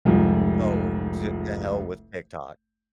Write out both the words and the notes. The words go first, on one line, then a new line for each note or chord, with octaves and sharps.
Oh, to to hell with TikTok.
F1 C2 G#2 F3